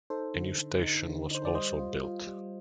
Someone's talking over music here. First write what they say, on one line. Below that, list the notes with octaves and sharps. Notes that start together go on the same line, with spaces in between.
A new station was also built.
D#4 A4 C5
D3
D3
D#4
D3
D#4 C5
D5
G3 C5 D#5
F4
F4
G3